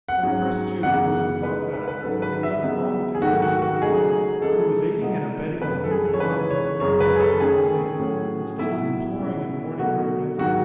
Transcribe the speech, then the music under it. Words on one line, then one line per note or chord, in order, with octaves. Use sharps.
What oppressed Jude was the thought that, having done a wrong thing of this sort himself, he was aiding and abetting the woman he loved in doing a like wrong thing, instead of imploring and warning her against it.
F#5
G#2 F#3 C#4
F#2 C#3 E3 B3 D#4 F#5
C#3 G#3 D#4 B4
B4
B4
G#2 F#3 C#4 A4
B4
E5
C#3 F#3 B3 D#4
G#4
G#2 D#3 F#3 A3 F#4
F#4
F#4
C#3 F#3 A3 D#4 G#4
C#3 E3 G#3 D#4 A4
B2 G#3 B3 D#4
F#2 D#3 A3 C#4 B4
A4
G#4
A4
C#5
C#3 E3 G#3 D#4 B4
C#5
F#2 C#3 G#3 C#5
B4
G#4
A4
D#3 A3 C#4 G#4
A2 F#3 A3 C#4
A2 F#3 B3 D#4 E4
B2 G#3 C#4
B2 F#3 A3 F#4
G#2 D#3 F#3 F#4